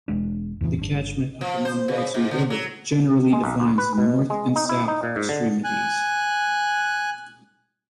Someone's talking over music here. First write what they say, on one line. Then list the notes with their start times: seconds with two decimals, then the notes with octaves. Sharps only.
The catchment of the Manawatu River generally defines the north and south extremities.
0.08 E1 F#2 G#3 D4
0.61 E2 A2 D#3 E3
0.79 G1 D4
1.41 F3
1.65 C5
1.88 C#3
2.14 G#2
2.31 D3
2.50 F#3
3.32 G#3
3.44 B1
3.60 D2
3.78 B4
3.98 B2
4.30 G#3
4.56 D#4
4.69 E4
4.88 D#4
5.03 A#2
5.16 G#2
5.29 D3
5.64 G#5 F#6